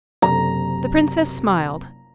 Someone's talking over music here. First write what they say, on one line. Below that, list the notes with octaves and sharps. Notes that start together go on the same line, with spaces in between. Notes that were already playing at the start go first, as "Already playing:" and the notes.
The princess smiled.
F#1 C3 A#5